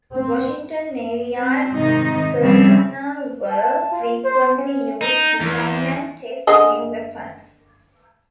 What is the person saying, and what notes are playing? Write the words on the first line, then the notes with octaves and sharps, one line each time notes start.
Washington Navy Yard personnel were frequently used design and test new weapons.
C4
C4
G#2 C3 D#3 D#4
C#3 F3 G3 C4 E5
A5
F4
C5
C#4
D#4
E2
D3 G#4 D#5